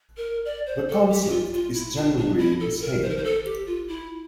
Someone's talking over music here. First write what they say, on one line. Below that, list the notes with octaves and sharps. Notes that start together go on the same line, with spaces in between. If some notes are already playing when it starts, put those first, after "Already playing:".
The concept is generally the same.
A#4
D5
C5
A4
G4
G4
F4
F4
E4
D4
D4
E4
A4
A#4
C5
A#4
C5
A4
G4
F4
E4